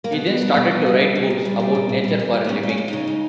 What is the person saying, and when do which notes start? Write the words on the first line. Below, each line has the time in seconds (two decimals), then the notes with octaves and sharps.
He then started to write books about nature for a living.
0.04 A#3
0.12 B2 B3
0.26 G3
0.42 G3
0.56 B2
0.71 B2
0.86 G3
1.00 G3
1.15 B2
1.30 A#2
1.45 G3
1.60 G3
1.75 A#2
1.89 A#2
2.04 G3
2.19 G3
2.34 A#2
2.44 B3
2.48 C#3 C#4
2.63 G#3
2.69 C#4
2.78 G#3
2.88 C#3 D#4
3.07 C#3